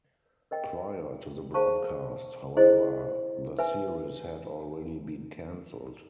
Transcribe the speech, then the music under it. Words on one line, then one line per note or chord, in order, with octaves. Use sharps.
Prior to the broadcast, however, the series had already been cancelled.
A#4 D#5 G5
G#4 C5 F5 A5 C#6
E4 G#4 C5 D#5
B4 E5 G#5